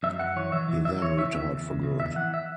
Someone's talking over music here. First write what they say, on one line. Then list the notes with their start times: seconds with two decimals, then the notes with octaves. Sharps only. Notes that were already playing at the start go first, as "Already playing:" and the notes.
He then retired for good.
0.03 F#2 E5
0.19 F#2 F#5
0.36 E3 C#5
0.52 E3 E5
0.68 E3
0.85 E3 E5
1.02 E3 C#5
1.18 E3 E5
1.34 E2 E5
1.51 E2
1.68 E2
1.83 C#3
2.00 E2 E5
2.16 E3 F#5
2.34 E5